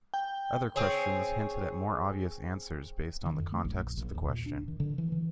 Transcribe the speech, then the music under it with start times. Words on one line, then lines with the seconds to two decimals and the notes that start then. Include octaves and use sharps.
Other questions hinted at more obvious answers based on the context of the question.
0.14 G5
0.76 C4 G#4 C#5
3.26 D#3
3.40 F2
3.52 A3
3.65 A#1
3.97 A#1
4.15 D#2
4.29 A#2
4.46 D4
4.68 D#3
4.80 D3
4.98 E3
5.12 E3